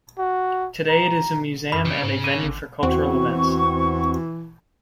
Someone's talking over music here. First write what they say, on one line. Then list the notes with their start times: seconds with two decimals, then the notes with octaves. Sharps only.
Today, it is a museum and a venue for cultural events.
0.19 F#4
0.89 A#5
1.72 F#2 D#3 G3 B5
1.86 C#3
2.02 G#2
2.24 D3 D#5 G#5
2.43 G#1
2.83 E2 E3 C4 F#4 C#6